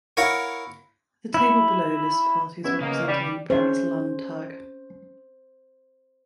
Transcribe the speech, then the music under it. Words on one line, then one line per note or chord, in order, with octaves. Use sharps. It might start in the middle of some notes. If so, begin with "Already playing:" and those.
The table below lists parties represented in the previous Landtag.
E4 A#4 C#5 F5 F#5
E4 E5
B3 C#4 E4 E5
C#3 A#3 D#5
G3 D5
C#4 G#4 C5 E5